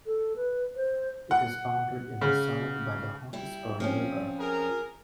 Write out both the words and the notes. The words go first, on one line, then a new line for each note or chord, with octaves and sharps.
It is bounded in the south by the Hawkesbury River.
A4
B4
C5
F#5
C#3
G3 E4
F3 C4 C#4
G#4 A#4